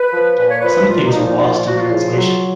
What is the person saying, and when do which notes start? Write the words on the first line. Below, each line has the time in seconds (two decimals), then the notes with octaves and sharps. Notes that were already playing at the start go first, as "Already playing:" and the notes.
Some things were lost in translation.
Already playing: B4
0.12 F3
0.38 A#2 B4
0.49 C#5
0.60 F3 B4
0.89 A#2 F4
1.05 D#4
1.14 F3
1.22 D#4
1.39 A#2 F4
1.52 F4
1.65 F3 F#4
1.77 F4
1.90 C#3
2.16 F#3